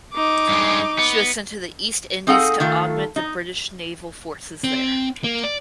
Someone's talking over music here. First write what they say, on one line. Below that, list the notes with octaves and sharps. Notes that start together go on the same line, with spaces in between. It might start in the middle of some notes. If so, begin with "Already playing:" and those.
She was sent to the East Indies to augment the British naval forces there.
D#4 D6
G2 G#3
B3
C4 D#4 G#4 A4 F5 F#5
D#3 A3 F4 A4
D#4
C4
A#3
D5